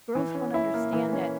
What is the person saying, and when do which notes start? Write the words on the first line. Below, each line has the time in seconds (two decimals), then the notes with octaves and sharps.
Girls don't understand that
0.15 E3
0.35 C#4
0.54 E4
0.74 A#3
0.93 E3
1.13 C#4